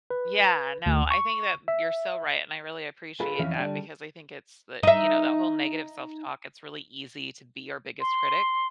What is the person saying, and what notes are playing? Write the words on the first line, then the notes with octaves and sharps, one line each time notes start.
Yeah, no, I think that you're so right, and I really appreciate that because I think it's the, you know, that whole negative self-talk, it's really easy to be our biggest critic.
B4
D2
C#6
E5
F4 G#4 A4 B4
F2 E3 C#4 C#5 E5 F5
D3 G3 D4
D#4 E5
C6